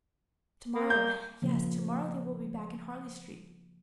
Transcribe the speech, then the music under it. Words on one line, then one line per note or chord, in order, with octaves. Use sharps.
'To-morrow--yes, to-morrow they will be back in Harley Street.
A#3
G6
C#3 F3 A#3